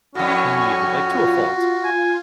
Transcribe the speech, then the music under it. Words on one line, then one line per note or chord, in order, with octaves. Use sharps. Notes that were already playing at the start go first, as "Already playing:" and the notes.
immediately- like, to a fault,
F2 A2 C#4 F#4 G#5 C#6
F4
G#5